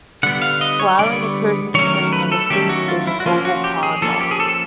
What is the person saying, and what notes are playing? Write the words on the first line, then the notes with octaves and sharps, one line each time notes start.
Flowering occurs in spring and the fruit is an oval pod long.
D3 G3 B3 F#5
F5
D#5
C#5
D3 G3 B3 D5
D#3 F#3 A3 C#4 C#5
A#4
B4
A4
D#3 F#3 A3 C#4 G4
F#4
F4
E4
F#4
F3 A#3 C#4 F4
F#4
G4
G#4
F3 A#3 C#4 A4
G4
G#4
A4